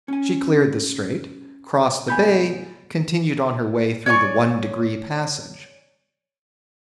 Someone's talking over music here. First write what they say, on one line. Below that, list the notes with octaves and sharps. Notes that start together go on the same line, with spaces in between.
She cleared the Strait, crossed the bay, continued on her way through the 'One-degree' passage.
C#4 G#5
C2 A2 B3 G#5 B5 G6
C#5 D5 G#5 C#6